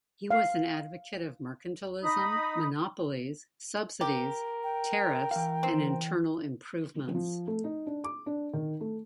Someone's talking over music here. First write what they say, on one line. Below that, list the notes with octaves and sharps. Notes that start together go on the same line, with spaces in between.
He was an advocate of mercantilism, monopolies, subsidies, tariffs, and internal improvements.
F5
D#4 B5 D#6
G4 A#4
G5
E3 A#4 F5
C4
F3
A3
D#4
D4
D6
D4
D#3
A3